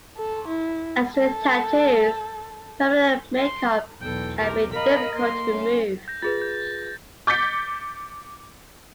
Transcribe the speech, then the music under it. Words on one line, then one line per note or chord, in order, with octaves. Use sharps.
As with tattoos, permanent makeup can be difficult to remove.
A4
E4
A4
C6
B1 E2 A4 G5
G4 A#4
A#4 D#5 F5 B5
A#3 C6
C#4
G6 A#6
F4 G#4 B4 A6
G6
D6 G6 A6 B6 C#7